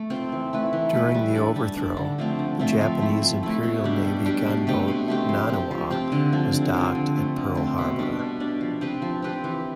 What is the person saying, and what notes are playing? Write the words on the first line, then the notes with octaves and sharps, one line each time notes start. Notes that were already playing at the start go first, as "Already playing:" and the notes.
During the overthrow, the Japanese Imperial Navy gunboat "Naniwa" was docked at Pearl Harbor.
Already playing: A3
C4 F4
E3
A3 E4 B4
E3
A3 E4 B4
G3
D4 A4
G3
D4 A4
D3
F3 A3 C4
D3
F3 A3 C4
F3
A3 E4
F3
A3 E4
B2
G3 D4 G4
B2
G3 D4 G4
B2
A3 C4 G4
B2
A3 C4 G4
F3
C4 G4
F3
C4 G4
D3
F3 C4
D3
F3 C4
D3
A3 C4
D3
A3 C4
B2
G3 D4
B2
G3 D4
F3
C4 G4 B4
F3
C4 G4 B4
E3